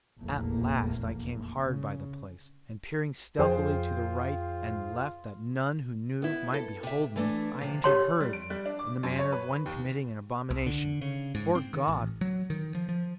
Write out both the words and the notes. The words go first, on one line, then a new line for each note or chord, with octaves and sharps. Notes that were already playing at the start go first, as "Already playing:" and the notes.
At last I came hard by the place, and peering stealthily to the right and left that none who knew might behold me, I entered hurriedly, in the manner of one committing an abomination. 'Fore God!
F1 A#1 E2 A3 A#3
C#3
F2 F4 G#4 C5 G5
B3 E4
A4
C3 E5
E3 A3 D4
C3 F3
G4 C#5 C6
G3
D7
G3
D4
D6
F#2
C#5
B4
D#2
C2
D3
C#3
G#2
C4
D#3
A1
F#3
D#3
F3
F3